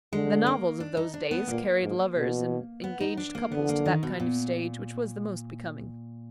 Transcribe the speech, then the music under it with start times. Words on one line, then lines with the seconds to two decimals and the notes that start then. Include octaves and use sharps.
The novels of those days carried lovers and engaged couples to that kind of stage which was the most becoming.
0.12 D3 G#3
0.46 A#3
0.80 D4
0.97 D#4
1.14 D4
1.31 B3
1.48 A#2 A#3
1.82 G#2
2.16 B2
2.84 B3
3.00 D#4
3.17 D4
3.35 A#3
3.52 D3 B3
3.69 A#3
3.86 D#3
4.03 B2
4.20 A#2